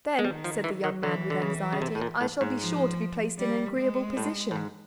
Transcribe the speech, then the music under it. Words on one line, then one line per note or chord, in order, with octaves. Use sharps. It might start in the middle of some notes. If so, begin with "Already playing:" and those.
"Then," said the young man, with anxiety, "I shall be sure to be placed in an agreeable position."
G#3
D#3 G3
F3
E3
D#3
D3 E3
D3
C#3
C#3
C3
A2
A#2
A2
G#2
F3
G3
G#3
A2
A2
G#2